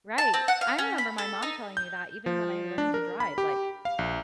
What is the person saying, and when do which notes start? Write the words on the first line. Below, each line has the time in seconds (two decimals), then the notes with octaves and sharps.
Right. I remember my mom telling me that even when I learned to drive, like,
0.18 A5
0.34 C4
0.48 F#5
0.61 F5
0.78 C#4
0.98 B5
1.18 A4
1.42 D#4
1.77 G6
2.26 F3
2.78 D4
2.94 A#4
3.20 B5
3.38 G4
3.85 F5
3.99 A#1